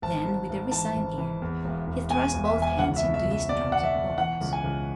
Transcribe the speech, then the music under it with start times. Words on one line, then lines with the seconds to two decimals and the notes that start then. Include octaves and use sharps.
Then, with a resigned air, he thrust both hands into his trousers pockets.
0.02 G#1 A5
0.26 G#2
0.50 G#1
0.71 E3 A5
0.96 G#1
1.18 E3
1.42 E2
1.65 E1
1.87 E2
2.10 B2 G#5
2.34 E1
2.45 E5
2.56 E2
2.62 G#5
2.79 C#2 F#5
2.96 E5
3.03 B2
3.14 E5
3.25 C#2
3.31 E5
3.49 B2 D5
3.71 B2 F#5
3.83 E5
3.95 B2
4.18 E3 F#5
4.41 C#2
4.53 G#5
4.64 C#2